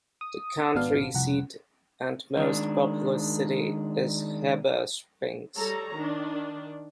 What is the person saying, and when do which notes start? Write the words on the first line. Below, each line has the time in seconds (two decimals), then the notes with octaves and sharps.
The county seat and most populous city is Heber Springs.
0.21 D#6
0.75 G#1 B2 B3 D4 F5
1.14 C2 F2 F#5
2.37 D#3 G#3 D4
5.57 G3 A4 C#5 A#5
5.97 D#3 D4